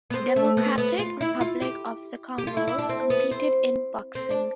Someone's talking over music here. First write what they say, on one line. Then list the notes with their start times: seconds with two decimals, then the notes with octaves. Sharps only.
Democratic Republic of the Congo competed in boxing.
0.10 B3
0.14 C4
0.36 A3
0.57 B3
0.78 B3
0.99 F4
1.21 E4
1.41 F4
1.62 G4
2.38 G4
2.47 F4
2.57 E4
2.68 E4
2.78 D4
2.89 C4
3.10 B3
3.31 C4
4.15 C4
4.31 D4